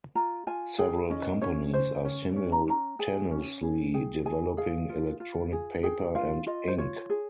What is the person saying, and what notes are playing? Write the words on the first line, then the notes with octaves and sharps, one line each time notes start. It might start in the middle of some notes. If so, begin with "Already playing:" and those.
Several companies are simultaneously developing electronic paper and ink.
F4 A#5
F4 G#5
G#4 G5
C#4 D#5
C#4 C#5
C#4 C5
C#4 C#5
C#4
A#5
C#4 A#5
G#4 G#5
C#4
G#4
G#4 G5
G#4 G#5
G#4 F5
F4
F4
G#4
G#4 G5
F4 F5
F4 D#5
C5
F4 C#5
G#4